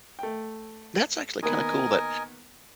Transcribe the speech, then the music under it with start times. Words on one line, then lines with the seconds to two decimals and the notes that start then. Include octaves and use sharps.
That's actually kinda cool that
0.19 A3 G5
1.43 D#3 A#3 B3 A#4 D#5 G#5